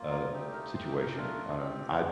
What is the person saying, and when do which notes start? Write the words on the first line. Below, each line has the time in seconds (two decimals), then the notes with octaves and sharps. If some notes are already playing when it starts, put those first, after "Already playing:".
uh, situation. Um, I
Already playing: A#3 F4
0.11 A#4
0.32 A3 D#4 G4
0.52 A#4
0.73 A3 D#4 G4 C5
0.88 G5
1.01 A#4
1.16 A3 D4 F4 A#4
1.58 C4 G4